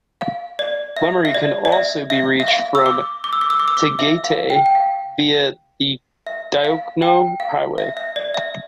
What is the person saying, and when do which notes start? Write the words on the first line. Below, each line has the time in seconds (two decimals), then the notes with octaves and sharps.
Lemery can also be reached from Tagaytay via the Diokno Highway.
0.21 F5
0.59 D5
0.97 E5
1.25 E5
1.34 D5
1.65 D5
1.72 E5
2.10 E5
2.40 E5
2.48 F5
2.75 E6
2.86 D6
3.24 D6
3.33 E6
3.41 D6
3.50 E6
3.60 D6
3.68 E6
3.77 D6
3.99 E5
4.24 F5
4.50 G5
4.66 G5
4.75 F5
6.27 E5
6.65 F5
7.02 G5
7.40 F5
7.78 E5
7.97 E5
8.16 D5
8.34 E5